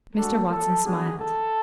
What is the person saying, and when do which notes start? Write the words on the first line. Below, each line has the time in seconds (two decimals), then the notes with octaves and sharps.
Mr. Watson smiled.
0.16 G#3 D4 F#4 A4
0.50 A4
0.84 B3 D4 F#4 G#4
1.18 A4